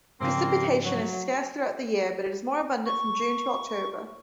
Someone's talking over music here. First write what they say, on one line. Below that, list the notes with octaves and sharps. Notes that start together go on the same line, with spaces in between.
Precipitation is scarce throughout the year but is more abundant from June to October.
G#2 C#3 F3 G3 A#3 C4
F#3
C#6